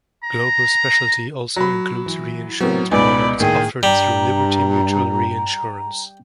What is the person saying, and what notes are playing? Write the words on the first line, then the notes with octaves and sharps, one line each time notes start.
Global Specialty also includes reinsurance products offered through Liberty Mutual Reinsurance.
A#5
F#3 B5
E3
A2 F#3 B3 C4 A#4
C#2 B2 G#3 B3 D#4 D5 G#5 B5
A2 D#3 A#3 G#4 G5
G2 G3 A#5